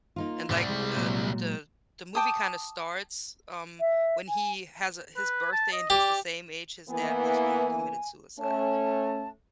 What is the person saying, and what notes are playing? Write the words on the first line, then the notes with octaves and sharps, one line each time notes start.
and, like, uh, the the movie kinda starts, um, when he has, uh, his birthday and he's the same age his dad was when he committed suicide
A#3 D#4 F4
C2 A2 G3
G#3
A#2 F#3
G5 A5 D6 D#6
E5
G#5
B4
A5
D#5
G4 D5
E3 A#3 B3 G#5
A3 C#4 A5